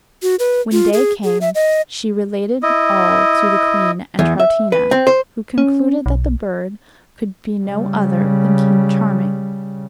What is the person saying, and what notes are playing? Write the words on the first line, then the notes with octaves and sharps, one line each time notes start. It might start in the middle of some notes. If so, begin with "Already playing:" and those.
When day came she related all to the queen and Troutina, who concluded that the bird could be no other than King Charming.
F#4
B4
F4
G#4
G#4
E5
D#5
E4 D#5
E2
E5
B4
C4
C5
C#4
B1
C#3 G3